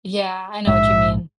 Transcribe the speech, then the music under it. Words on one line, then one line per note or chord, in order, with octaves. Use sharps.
Yeah, I know what you mean,
A#1 G#2 G#3 E5